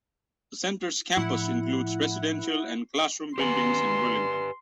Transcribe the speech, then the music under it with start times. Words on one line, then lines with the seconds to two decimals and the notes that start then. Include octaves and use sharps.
The center's campus includes residential and classroom buildings in Burlington.
1.17 A2 F3 E4 F#5
3.38 G4 B4 G#5 C6